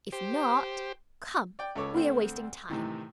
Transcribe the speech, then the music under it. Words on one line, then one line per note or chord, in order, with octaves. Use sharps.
"If not--come, we are wasting time."
G4 C5
D5 G5
C#2 A4 C#5 D6
D2 A3 C4
A2 C3 D#3 E3